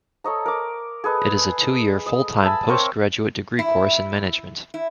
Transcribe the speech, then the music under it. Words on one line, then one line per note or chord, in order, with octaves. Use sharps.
It is a two-year full-time post-graduate degree course in management.
A4 C#5 D#5 A#5
A#4 D6
G#4 A4 B4 D#5
D#5
E5 G#5 A5 B5
C4 A#4 C5 C#5
E4
E4